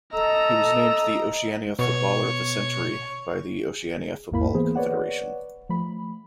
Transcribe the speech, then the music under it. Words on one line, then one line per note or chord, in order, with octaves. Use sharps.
He was named the Oceania Footballer of the Century by the Oceania Football Confederation.
A4 D#5 A#5 E6
B2 C#5
G#4
A1 E2 G#2 A#3 E4 B5
E3 A#3 B3 G#4 C5
B4 C#5 D5 F#5
F3 A3 B5